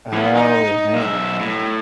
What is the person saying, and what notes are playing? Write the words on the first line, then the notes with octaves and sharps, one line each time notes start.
Oh, man.
E3 B3
D#4
B1 E5
A2